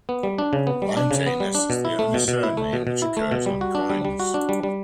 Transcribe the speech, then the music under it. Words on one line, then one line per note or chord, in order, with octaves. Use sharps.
"Limetanus" is the only surname which occurs on coins.
B3
G3
D4
C#3
B3
G3
D4
C#3
B3
G3
D4
B2
E4
A3
B2
B2
E4
A3
B2
B2
E4
A3
B2
G3
F#4
D4
G3
G3
F#4
D4
G3
G3